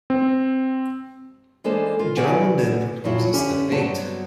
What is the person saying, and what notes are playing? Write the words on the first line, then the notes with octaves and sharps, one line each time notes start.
Jarmon then proposes a debate.
C4
E3 G#3 A#3 D4 A4 C5
F4 A#4
F#4 A#4 B4 D5 F#5 G#5
A#2 F3 F#3 E4 F4
D3 C#4 G4 E5
G2 F#3 B3 C4 F#4 A5